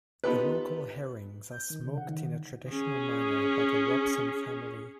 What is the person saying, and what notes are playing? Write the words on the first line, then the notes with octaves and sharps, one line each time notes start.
The local herrings are smoked in a traditional manner by the Robson family.
B3 D#4 F4 G4 A4 B4
G6
D#3
C#3
F#5
D#3
C#4 G#4